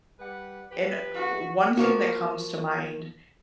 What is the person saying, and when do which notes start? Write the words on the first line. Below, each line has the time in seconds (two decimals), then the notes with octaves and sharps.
and one thing that comes to mind
0.20 G3 B4 F#5
0.71 F3 G4 B4
1.14 F#4
1.77 F3 A#3 F#4